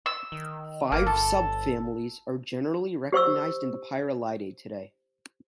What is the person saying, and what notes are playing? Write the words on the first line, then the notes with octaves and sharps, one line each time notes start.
Five subfamilies are generally recognized in the Pyralidae today.
E6
D#3
G1 A#3
A4
G4 C5 C#6 E6